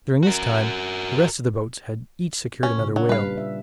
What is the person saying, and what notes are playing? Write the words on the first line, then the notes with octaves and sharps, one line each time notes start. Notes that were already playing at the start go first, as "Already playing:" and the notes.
During this time the rest of the boats had each secured another whale.
F#4 A#4
C#4
A#2 C#3
F#3 D4
G3 B4 F5
E5